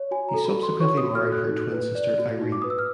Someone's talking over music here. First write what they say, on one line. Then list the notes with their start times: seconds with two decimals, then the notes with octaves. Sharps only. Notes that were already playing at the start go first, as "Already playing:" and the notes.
He subsequently married her twin sister Irene.
Already playing: C#5
0.11 F#4 G#5
0.29 A#5
0.34 A4
0.45 B5
0.57 F#4
0.63 C6
0.80 C#5 C#6
0.97 D#6
1.03 F#4
1.15 F6
1.27 A4
1.32 F#6
1.50 D#4
1.72 B4
1.95 D5
2.19 F#4
2.41 D#4
2.52 D6
2.62 B4 D#6
2.70 E6
2.78 F6